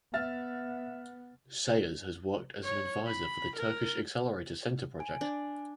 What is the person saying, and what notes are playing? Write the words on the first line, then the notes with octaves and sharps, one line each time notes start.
Sayers has worked as an advisor for the Turkish Accelerator Center Project.
B3 E5 F6 A6
C#5
B5
A#4
G#5
D4